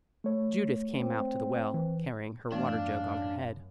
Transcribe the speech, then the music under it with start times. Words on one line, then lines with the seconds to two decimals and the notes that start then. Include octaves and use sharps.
Judith came out to the well, carrying her water-jug on her head.
0.24 A3 C#5
0.95 C4
1.74 E3
2.52 F#2 E3 A3 B3 D4 F5